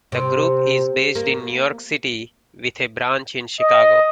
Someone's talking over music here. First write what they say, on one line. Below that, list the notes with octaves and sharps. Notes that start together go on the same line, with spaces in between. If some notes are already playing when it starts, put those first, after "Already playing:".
The group is based in New York City with a branch in Chicago.
C3
A#3
D#5